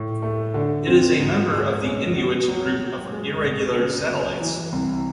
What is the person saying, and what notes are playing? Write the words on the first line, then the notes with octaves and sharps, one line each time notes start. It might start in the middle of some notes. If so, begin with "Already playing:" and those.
It is a member of the Inuit group of irregular satellites.
Already playing: A2
A3
D3
C4
G#2
G#3
C#4
F#4
F#3
F#3
G#3
B2
C#3
F#3
E3
C2